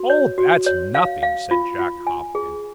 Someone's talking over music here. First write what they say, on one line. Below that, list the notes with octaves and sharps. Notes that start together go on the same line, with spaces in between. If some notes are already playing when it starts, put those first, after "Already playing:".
'Oh, that's nothing,' said Jack Hopkins.
Already playing: F#4
C#5
F#4
C#5
F5
F5
F4
F4
G#5
G#4